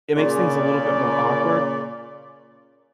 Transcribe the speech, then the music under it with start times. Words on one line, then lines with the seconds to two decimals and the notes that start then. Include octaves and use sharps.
it makes things a little bit more awkward,
0.16 A#2 C#3 D5